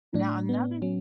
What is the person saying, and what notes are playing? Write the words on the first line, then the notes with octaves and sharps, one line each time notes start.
Now another
A2 D4
B3
F#3 C#4